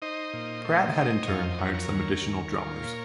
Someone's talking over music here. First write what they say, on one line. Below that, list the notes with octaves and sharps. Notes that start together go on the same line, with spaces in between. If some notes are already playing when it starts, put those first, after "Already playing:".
Pratt had in turn hired some additional drummers.
D#4 C5 D#5
A#2
A3
D#4
F2 C#5 F5
C5 D#5
F#3 A#4 C#5
A#4 C#5
D#2
D#2
F4
A#2